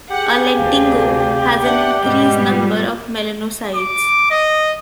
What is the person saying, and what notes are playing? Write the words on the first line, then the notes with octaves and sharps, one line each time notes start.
A lentigo has an increased "number" of melanocytes.
G4 G#4 F#5
D2 C3 F5
D4 E5 F#5
G#2 B2 G3 B3 D#5
F4
D6
D#5